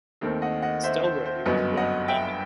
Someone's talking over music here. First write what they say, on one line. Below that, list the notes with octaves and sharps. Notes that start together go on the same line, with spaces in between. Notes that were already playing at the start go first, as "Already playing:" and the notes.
Stallworthy was born in London.
D#2 D#3 A3 C4
D#5 F#5
D#5 F#5
C5 E5
C5
C5
G1 F#2 F#3 B3 B4 D#5
D#5 F#5
E5 G5